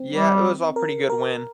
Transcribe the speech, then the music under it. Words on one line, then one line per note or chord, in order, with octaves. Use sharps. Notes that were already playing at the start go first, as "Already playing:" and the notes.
Yeah, it was all pretty good when
Already playing: C4
G3
A#4
A#4